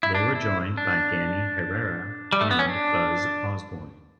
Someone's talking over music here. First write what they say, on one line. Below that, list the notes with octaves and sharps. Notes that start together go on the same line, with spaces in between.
They were joined by Danny Herrera and Buzz Osborne.
E4
D4
E4
D4
G3
A3
B3
C#4
D4